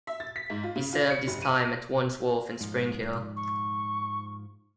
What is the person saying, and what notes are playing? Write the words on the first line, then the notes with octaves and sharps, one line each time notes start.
He served his time at Wandsworth and Spring Hill.
E5
A6
B6
G#2
F4
C#3
F4
C#7
F1
D#7
G#2 F3
C#6